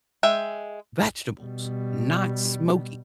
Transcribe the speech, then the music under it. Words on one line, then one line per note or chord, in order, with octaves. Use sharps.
vegetables, not smoky.
G#3 E5 G5
B2 G3